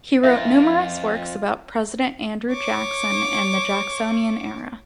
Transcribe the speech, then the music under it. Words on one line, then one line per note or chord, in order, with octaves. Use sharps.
He wrote numerous works about President Andrew Jackson and the Jacksonian Era.
F2 E4 F4 A#4 E5
C#5 D6